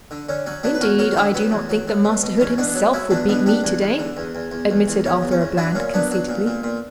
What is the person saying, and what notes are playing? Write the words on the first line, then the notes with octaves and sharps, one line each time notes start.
"Indeed, I do not think that Master Hood himself would beat me to-day," admitted Arthur-a-Bland, conceitedly.
D3
D3 C#4
F#3 C#4
F#3 B3 D4
B4
E2 F#4 A#4
F#3 F#4 A#4
F#4
D3 E4 G4
F#3 B3
E2
F#3
F#3
B2
B2
E2 C#4
B2 B3 D4
F#3
F#3 C#4 E4
E2 B3 D4
B2 B3 D4
G3 B3 D4
E2
E2
D3
E2
E2
E2
E2
E2
E2 C#4
E2
C#4
E2
F#3 B3 D4
A#2 C#4
F#3 B3 D4
F#3
A#2
A#2
A#2